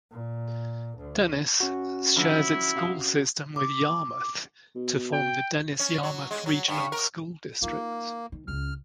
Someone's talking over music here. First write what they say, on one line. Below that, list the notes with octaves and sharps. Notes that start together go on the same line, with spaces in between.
Dennis shares its school system with Yarmouth to form the Dennis-Yarmouth Regional School District.
A#2
D2
C#4 F#4
D3 F3 F#3 E4
C3 F5 D#6
D6
B2
G5
C#4
F#3
G#3
F#3
G2
A#4
A#3 D#4 F4
D#3
C#2 C#4 F6